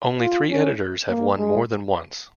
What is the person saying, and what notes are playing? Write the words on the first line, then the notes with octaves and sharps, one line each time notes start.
Only three editors have won more than once.
F4
C#4
A#3
G#3